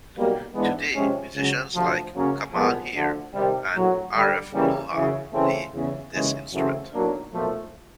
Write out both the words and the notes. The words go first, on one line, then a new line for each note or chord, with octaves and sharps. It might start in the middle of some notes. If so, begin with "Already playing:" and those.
Today, musicians like Kamal Heer and Arif Lohar play this instrument.
B1 B2 G3 A#3
G#2 E3 G#3 B3 D4
C3 F3 G#3 C#4
C#2 C#3 F#3
D2 C3 F3
F#2 C#3 F#3 A#3 C#4
C2 A#2 F3 G#3 B3
D2 D3 F3
C3 D#3 G3
A#1 A2 F#3
G2 D3 G3
C#3 E3 G3 A#3 C#4
F#2 C#3 E3
C#3 E3 A3 C4
E2 C#3 E3
D#2 C#3 E3 G#3
F#2 C#3 E3 A3 C4
B1 A2 F#3 A#3 D4
B1 A#2 F3 A3